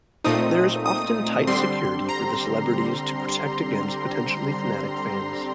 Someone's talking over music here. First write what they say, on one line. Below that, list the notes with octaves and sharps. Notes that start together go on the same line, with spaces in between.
There is often tight security for the celebrities to protect against potentially fanatic fans.
A#2 A3 C4 D#4 D#6
D#6
D3 G3 C4 C6
A#5